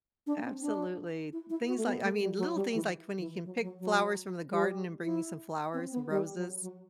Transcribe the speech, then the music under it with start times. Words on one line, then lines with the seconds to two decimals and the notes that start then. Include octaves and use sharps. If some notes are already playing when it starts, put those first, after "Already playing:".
Absolutely. Things like I mean, the little things, like, when he can pick flowers from the garden and bring me some flowers and roses,
0.27 D4
0.44 C4
0.62 D4
1.33 E4
1.50 E4
1.68 F#4
1.77 A3
1.85 B3
2.03 A3
2.21 G3
2.38 F#3
2.56 G3
2.74 E3
3.18 E3
3.45 F#3
3.62 F#3
3.80 F#3
4.50 G3
5.04 E4
5.74 C4
5.92 B3
6.10 G3
6.36 F#3
6.62 F#3